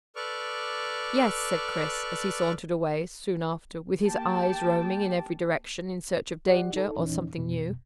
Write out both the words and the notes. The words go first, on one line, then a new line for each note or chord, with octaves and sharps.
"Yes," said Chris, as he sauntered away soon after with his eyes roaming in every direction in search of danger or something new.
A4 B4 D5 C#6 D6 F6
A#3 G4 G5 A5
F#4 G4 D5 F#5
D#4 A4
E2 A#2 E3 C#4 D#4
F2 B2